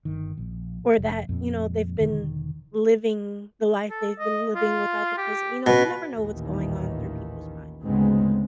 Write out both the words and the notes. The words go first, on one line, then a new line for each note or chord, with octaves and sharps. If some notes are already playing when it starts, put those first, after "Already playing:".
or that, you know, they've been living the life they've been living without the person you know, you never know what's going on through people's minds,
G1 D#3
A#1
F1
F2 A#2 C4
E1 D3 D#3
A4
D#5
F4
G4
B2 B4
A1 D#2 A#2 D#3 E3
D2 G#2 C#3 G#3 B3 C4